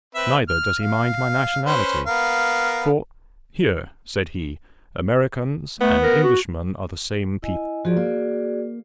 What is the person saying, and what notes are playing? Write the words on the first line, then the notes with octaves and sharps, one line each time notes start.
Neither does he mind my nationality; for 'here,' said he, 'Americans and Englishmen are the same people.
C4 B4 E5
F6
F5
C#4 B4 C5
B3 A#4 F5
A3 B3
A#4
F#4
E4 D#5 G#5
F3 F#4 G#4 D5
A#3